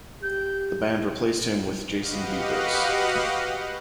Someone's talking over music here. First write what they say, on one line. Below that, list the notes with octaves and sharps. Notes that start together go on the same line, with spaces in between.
The band replaced him with Jason Viebrooks.
G4 G6
F#4 G4 B4 D#5 F5 F#5